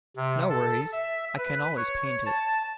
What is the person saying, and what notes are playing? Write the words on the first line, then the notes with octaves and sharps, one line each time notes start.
No worries, I can always paint it.
C3
A4
E5
B4
C#5
A5